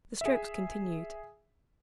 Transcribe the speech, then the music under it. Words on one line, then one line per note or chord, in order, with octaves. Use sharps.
The strokes continued.
G#4 E5